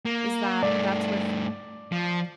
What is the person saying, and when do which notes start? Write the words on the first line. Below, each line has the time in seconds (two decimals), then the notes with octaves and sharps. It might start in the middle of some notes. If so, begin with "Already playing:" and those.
is that that's with,
0.05 A#3
0.63 G2 A3 D5
1.92 F3